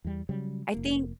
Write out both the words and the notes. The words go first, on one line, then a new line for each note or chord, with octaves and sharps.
I think
E2 G3
C#3 F#3 G3
F1 A#3